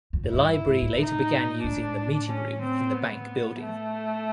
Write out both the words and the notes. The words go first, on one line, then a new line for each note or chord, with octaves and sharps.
The library later began using the meeting room in the bank building.
F2
F#2
G2 E4
G#2
A2
D#4
A2 D4
C#4
C4
B3
A3